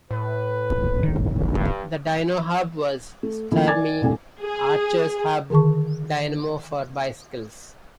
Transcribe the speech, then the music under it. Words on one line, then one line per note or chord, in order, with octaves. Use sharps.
The Dynohub was Sturmey-Archer's hub dynamo for bicycles.
A2 B4
D#3
G2
A3
D#3 F3 A3 A#3 C#4 E4
A#4 D5 G#5 D6 G#6 A6
D#1 C2 G2 A3 G#5
G#4
D3 D#3 G#4 A5 C#6